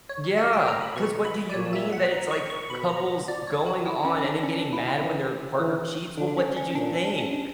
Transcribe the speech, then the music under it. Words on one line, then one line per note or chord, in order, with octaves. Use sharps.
Yeah, 'cause what do you mean that it's, like, couples going on and then getting mad when their partner cheats? Well, what did you think?
C#5
F#5
G5
A#5
B5
B2 C#6
B5
D5
A#2 C#5
E5
F#5
A#5
C#6
C#6
B2 B5
A#5
D5
C#5
F#4
E4
C#4
D4
C#4
D4
E4
E4
E3 C#4
E3
D3 D4
D4
C#4
C#4
C#4
A#2 D4
C#4
D4
C#4
D4